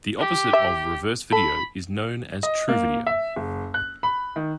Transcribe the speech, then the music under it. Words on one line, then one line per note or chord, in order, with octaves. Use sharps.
The opposite of reverse video is known as "true video".
G4
E5
A4 B5
D#5
A#3
E5
F#1
F#6
B5
D#3